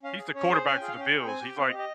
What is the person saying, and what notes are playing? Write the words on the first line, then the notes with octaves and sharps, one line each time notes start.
He's the quarterback for the Bills. He's, like
C#4 F5
G#4
C#4 C#5
G#4 C5
C#4 G#5
F4 G#4 G5
F5
C#4 G5
F4 G#4
C4 G#5
G4 G5
C4 F5
D#5
G4
D#5